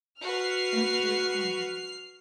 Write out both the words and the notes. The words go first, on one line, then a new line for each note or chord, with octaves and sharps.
After Hon.
F#4 B4 F6 C7